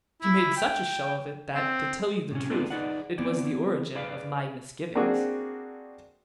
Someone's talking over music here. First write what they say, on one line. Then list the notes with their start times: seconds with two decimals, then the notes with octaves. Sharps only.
"She made such a show of it, that, to tell you the truth, it was the origin of my misgivings."
0.22 E4
0.58 G5
1.55 C4
2.31 A2 C3 C#4
2.51 B3 C4 D4 F4 A4 B4
2.70 D#4 G#4 B4 D5 F#5
3.18 E3 B3 C4 E4 D5
3.95 G#4 B4 D5 F5
4.95 A#3 C4 D4 F#4 G#4